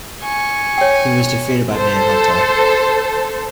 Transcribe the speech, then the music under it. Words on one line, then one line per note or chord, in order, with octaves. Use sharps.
He was defeated by Manhunter.
G#5 C#6
C#5 G5
A4 C5